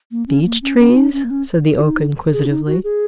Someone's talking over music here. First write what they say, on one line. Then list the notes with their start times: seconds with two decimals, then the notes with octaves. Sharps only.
"Beech Trees?" said the Oak inquisitively.
0.11 A#3
0.28 C#4
0.45 A#3
0.62 C#4
0.78 C#4
0.90 F#4
0.96 D#4
1.13 C#4
1.24 A#3
1.30 C#4
1.76 F#4
1.81 D#4
2.32 G#4
2.46 C#4
2.49 D#4
2.67 F#4
2.84 G#4